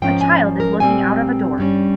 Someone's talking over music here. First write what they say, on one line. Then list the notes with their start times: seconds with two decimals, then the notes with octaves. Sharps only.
A child is looking out of a door.
0.02 G#2 F3 A#3 C#4 G5
0.21 G#5
0.60 A#4
0.80 A#2 G3 C4 G#5
1.58 G2 G3 C#4